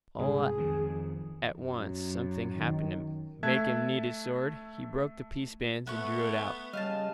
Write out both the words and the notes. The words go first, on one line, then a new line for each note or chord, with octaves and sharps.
If all at once something happened to make him need his sword, he broke the peace-bands and drew it out.
C2 G#2 G#4
F2 D#3 F3
F#2
D#3
A3 E5 A5 F#6 G#6
A3 B3 F#5 C#6
C#3 G3 D#5 F5 G5 A5